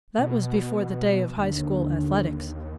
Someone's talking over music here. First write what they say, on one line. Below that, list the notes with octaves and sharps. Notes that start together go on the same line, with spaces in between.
That was before the day of High-School athletics.
B2
D#2 D3